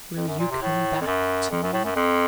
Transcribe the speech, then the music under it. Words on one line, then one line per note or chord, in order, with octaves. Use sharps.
"Will you come back to me?"
F2
F#2
A#2
C3
A2
F2
F#2
F2
F#2
A2
F#2
F2